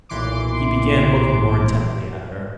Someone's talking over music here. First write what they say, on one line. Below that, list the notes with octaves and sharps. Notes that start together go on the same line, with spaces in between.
He began looking more intently at her.
B1 A#2 E3 C6 D6